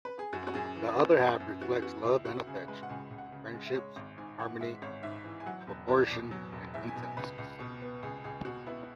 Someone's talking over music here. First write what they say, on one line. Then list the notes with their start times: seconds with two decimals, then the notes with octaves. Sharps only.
The other half reflects love and affection, friendships, harmony, proportion and consensus.
0.05 B4
0.19 G#4
0.33 F#2 F#4
0.47 F#4
0.54 F#2 G#4
0.76 E3
0.97 B3
1.19 F#2
1.40 F#2
1.61 E3 F#4
1.82 B3 F#4
2.04 C#2 E4
2.25 C#2 F#4
2.47 C#3 G#4
2.68 G#3 B4
2.83 F#5
2.90 C#2 G#5
3.11 C#2
3.18 F#5
3.32 C#3
3.54 G#3
3.66 E5
3.75 G#3 C#5
3.96 G#1
4.18 G#2 G#5
4.39 E3 F#5
4.60 G#3 E5
4.82 G#1 C#5
5.03 G#2 E5
5.24 E3
5.40 G#5
5.46 F#3 F#5
5.67 E1
5.88 E2
6.10 B2
6.31 F#3
6.52 E1
6.74 E2 E5
6.88 G#5
6.96 B2
7.03 G#5
7.17 C#2 B4
7.38 C#2
7.60 B2
7.82 B3
8.03 C#2 G#4
8.24 C#2 G#4
8.45 B2 F#4
8.66 B3 E4